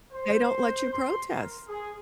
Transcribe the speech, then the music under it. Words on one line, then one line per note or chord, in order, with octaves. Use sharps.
They don't let you protest.
C5
C6
A#4
G#4